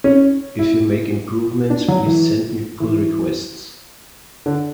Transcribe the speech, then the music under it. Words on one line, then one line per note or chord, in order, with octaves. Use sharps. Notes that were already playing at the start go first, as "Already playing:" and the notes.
If you make improvements, please send me pull requests!
C#4
E4
D4
F#3
E3
E3
D3